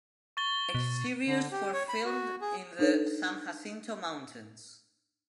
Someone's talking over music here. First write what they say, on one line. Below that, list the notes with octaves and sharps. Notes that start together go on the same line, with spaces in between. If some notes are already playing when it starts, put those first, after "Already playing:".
Exteriors were filmed in the San Jacinto Mountains.
C#6 A6 G7
B2
D3
G4
C#5
B5
F#4
G#4
D4 D#4 A4 B4 C#5